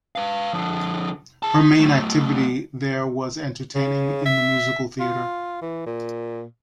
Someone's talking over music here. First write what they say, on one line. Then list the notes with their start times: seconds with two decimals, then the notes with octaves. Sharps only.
Her main activity there was entertaining in the musical theater.
0.16 B4 F5
0.53 D3 F3
1.43 G#4 A5
1.60 D#4
1.79 F#3 A3
3.75 C#3
4.26 E5
5.00 F4
5.61 E3
5.86 A#2